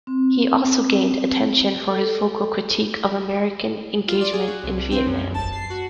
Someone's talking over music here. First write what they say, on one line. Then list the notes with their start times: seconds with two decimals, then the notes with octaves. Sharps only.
He also gained attention for his vocal critique of American engagement in Vietnam.
0.07 C4
1.88 A4
4.08 F4
4.20 D5
4.33 G#4
4.47 F#4
4.63 C2
4.77 C2
4.91 C4
5.06 F#2
5.18 F#2
5.34 A5
5.52 C7
5.70 F#4